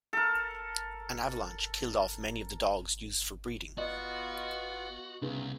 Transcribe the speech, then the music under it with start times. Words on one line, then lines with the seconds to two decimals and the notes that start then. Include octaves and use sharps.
An avalanche killed off many of the dogs used for breeding.
0.13 A4 A#4
3.78 B3 F4 F#4 D#5 F#5
5.22 C2 C#3 B3